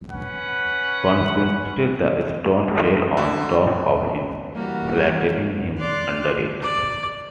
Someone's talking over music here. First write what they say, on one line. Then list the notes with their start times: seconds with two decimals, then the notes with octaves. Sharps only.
Consequently the stone fell on top of him, flattening him under it.
0.10 C#4 B4 F#5
3.17 D3
4.53 E3 G3 A#3 F#4 G4
5.78 D5 C6 D6 F6 F#6
6.62 D5